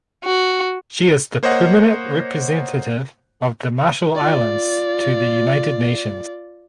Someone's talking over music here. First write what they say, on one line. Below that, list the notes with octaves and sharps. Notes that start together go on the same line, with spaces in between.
She is the Permanent Representative of the Marshall Islands to the United Nations.
F#4
A#3 C5 C#5 D#5 F#5
F4 D5